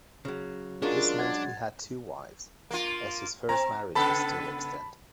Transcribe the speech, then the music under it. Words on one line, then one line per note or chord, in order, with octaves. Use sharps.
This meant he had two wives, as his first marriage was still extant.
C#3 F#3
F#3 G#3 C#4 D4 F4 G#4 A#4
F#5 G#6 A6
A#3 F4
C4 A#5
C#3 B3 A4 A5 B5